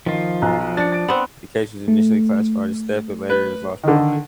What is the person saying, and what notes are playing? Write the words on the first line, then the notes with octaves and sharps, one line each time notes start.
The case was initially classified as theft but later as "lost property".
D#3 F3 F4
B1 A#5 F#6
F3
D4 A6 C#7
A6 D7
B3 C4 F#5
A3
B4
D3 D#3